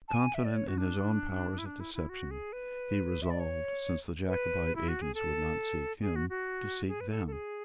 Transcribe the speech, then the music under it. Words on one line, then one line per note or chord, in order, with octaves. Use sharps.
Confident in his own powers of deception, he resolved, since the Jacobite agents would not seek him, to seek them.
A5
G#5
E5
D5
C#5
F#4
D4
E4
D4
E4
E4
F#4
G#4
B4
E5
D5
C#5
B4
E4
F#4
G#4
A4
G#4
F#4
F#4
G#4
B4
A4
A4
G#4